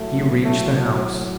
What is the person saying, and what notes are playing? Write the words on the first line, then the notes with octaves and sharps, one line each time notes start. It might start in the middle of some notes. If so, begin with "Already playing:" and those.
He reached the house.
Already playing: A2 F#3 A3
A3